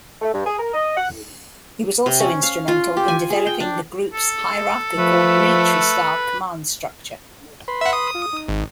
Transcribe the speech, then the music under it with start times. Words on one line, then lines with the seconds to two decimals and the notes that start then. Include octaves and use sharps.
He was also instrumental in developing the group's hierarchical military-style command structure.
0.22 A3
0.34 G2
0.45 G#4
0.59 A#4
0.74 D#5
0.97 F#5
2.06 C3
2.20 C#4
2.43 F5
2.68 F4
2.97 G4
3.08 G#5
3.30 G#4
3.47 G5
3.60 D4
4.13 A4
4.97 F3 A3 B4
7.68 B4 B5 C6
7.81 E5 F#5
7.93 D#6
8.15 F4
8.33 D#4
8.48 G#1